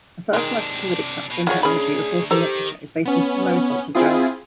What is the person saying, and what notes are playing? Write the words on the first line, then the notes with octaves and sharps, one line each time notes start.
A first microfluidic platform technology reported in literature is based on stimuli-responsive gels.
C3 D#3 G#3 D4
B2
D2 F4 G#4 C#5 F#5
C#4 G#4 B5
D#3 G4 A4 A#4 C5
B3 C#4
C4 E4 F4 G#4